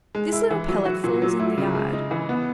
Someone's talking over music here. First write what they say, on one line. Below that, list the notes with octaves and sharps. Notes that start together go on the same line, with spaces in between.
This little pellet falls in the yard.
G#3
E4
E3
F#3
F#4
A#2
F#3
E4
C#3
G#3
D#4
E3
B3